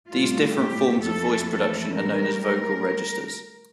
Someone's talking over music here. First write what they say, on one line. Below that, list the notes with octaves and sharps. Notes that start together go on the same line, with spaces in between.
These different forms of voice production are known as vocal registers.
A2 G3 F4
G4
F2 E3 A3 A4
A4
A2 G3 A#4